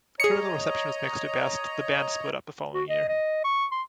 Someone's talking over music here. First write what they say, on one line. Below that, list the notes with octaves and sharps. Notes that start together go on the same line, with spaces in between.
Critical reception was mixed at best, and the band split-up the following year.
G#4 C#5 D#5 A#5 C#7
F#4
D#5
D#5
C#6
C6